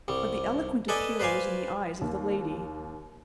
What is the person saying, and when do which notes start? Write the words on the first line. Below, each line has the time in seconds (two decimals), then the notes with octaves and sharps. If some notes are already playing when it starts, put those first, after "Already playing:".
But the eloquent appeal was in the eyes of the lady.
0.08 C2 G3
0.88 A4 B4 D5 D#5 G#5 A5
1.20 B4 C5 D5 F5 G#5
2.01 D#2